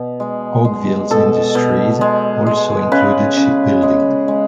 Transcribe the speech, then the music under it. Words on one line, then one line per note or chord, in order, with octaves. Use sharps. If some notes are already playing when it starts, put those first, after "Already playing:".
Oakville's industries also included shipbuilding.
Already playing: B2
G#3
G#3
B2 A4
B2
G#3
G#3
C#3 B4
C#3
G#3
G#3